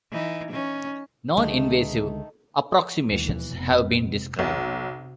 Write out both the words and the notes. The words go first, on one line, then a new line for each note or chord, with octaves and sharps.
Noninvasive approximations have been described.
E3 D#4
C#4 D#4
C#2 D3 D#3 G#3 A3 D#4
D#2 B2 E3
F1 B3
C3
B1 C3